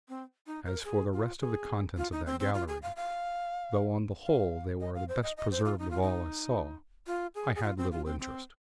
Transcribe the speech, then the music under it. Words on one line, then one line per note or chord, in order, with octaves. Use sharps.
As for the rest of the contents of that gallery, though on the whole they were the best preserved of all I saw, I had little interest.
C4
D#4
A#4
G#4
F4
G#4
F4
D#4
C4
C4
F4
G#4
F5
F5
F5
D#5
F5
C5
D#5
D#5
C5
F4
D#4
F4
D#4
F4
G#4
G#4
F4
C4
F4
C4
C4